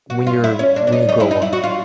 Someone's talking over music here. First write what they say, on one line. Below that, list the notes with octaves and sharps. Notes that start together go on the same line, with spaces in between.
when you're when you grow up,
F#4
F4
E4
C#4
D4
D4
D#4
D#4
E4
D#4
E4
F#4
F4